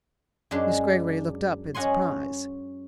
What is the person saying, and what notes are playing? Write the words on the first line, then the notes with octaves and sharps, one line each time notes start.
Miss Greggory looked up in surprise.
F#2 G#3 D4
C#4 D#5 F#5 G#5 C6